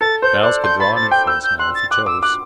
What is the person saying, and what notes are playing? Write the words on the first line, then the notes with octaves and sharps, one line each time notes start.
Giles could draw an inference now if he chose.
A4 A6
C5 G6
D5 F#6
C6 G6
B5 A6
A6
G5 G6
E6 G6
G6
C6 F#6
A6
D6 F#6
D6 E6
D6 F#6